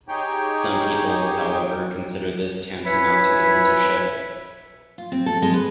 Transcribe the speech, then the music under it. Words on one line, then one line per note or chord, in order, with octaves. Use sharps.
Some people, however, consider this tantamount to censorship.
D#4 G4 G#4 C#5 G5
E3 B4 C#5 E5 G#5 B5
F4
C4
A4
G#3
B4